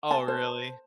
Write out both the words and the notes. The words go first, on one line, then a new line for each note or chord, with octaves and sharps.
Oh, really?
A5
C5